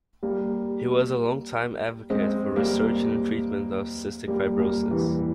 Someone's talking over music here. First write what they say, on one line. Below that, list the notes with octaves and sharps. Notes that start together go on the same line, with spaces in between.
He was a long-time advocate for research and treatment of cystic fibrosis.
G3 A#3
G#3 C4
G3 A#3
G3 A#3
G3 A#3
E3 G3